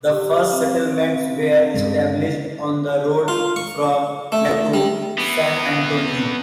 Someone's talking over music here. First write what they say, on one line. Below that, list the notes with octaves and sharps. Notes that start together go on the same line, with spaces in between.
The first settlements were established on the road from Laredo to San Antonio.
G4
C4 F5
G2 C#3 G#3
F4
C#6
A3
G3
E3 B3